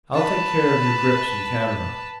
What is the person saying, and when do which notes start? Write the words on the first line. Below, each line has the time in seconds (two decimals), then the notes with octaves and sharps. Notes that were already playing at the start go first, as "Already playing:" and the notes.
I'll take care of your grips and camera.
0.13 B4 A5